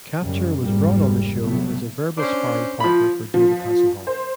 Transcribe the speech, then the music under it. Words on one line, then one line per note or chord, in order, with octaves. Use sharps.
Kapture was brought on the show as a verbal sparring partner for David Hasselhoff.
F#2 C#3 G3
F1 G#2 G3 A#3
C3 F#3 G3 A3 B3
C#4 D4 C5
F3 B5
F3
C5